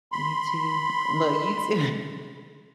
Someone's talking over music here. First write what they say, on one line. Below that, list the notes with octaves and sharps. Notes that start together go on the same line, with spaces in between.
You too? Well, you too.
B5 C6